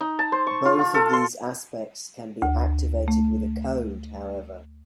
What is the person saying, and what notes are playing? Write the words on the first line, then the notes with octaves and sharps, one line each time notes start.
Both of these aspects can be activated with a code, however.
D#4
A5
C5
C#6
F4
F4
A4
C6
D2
A3